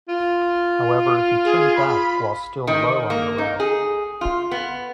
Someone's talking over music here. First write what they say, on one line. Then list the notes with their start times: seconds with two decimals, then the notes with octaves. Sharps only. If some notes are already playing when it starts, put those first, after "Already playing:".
However he turned back while still low on the route.
0.08 F4
1.45 G#4
1.76 B5
2.67 D#3
3.10 A#3
3.38 D#4
3.60 G#4
4.21 F4
4.51 B3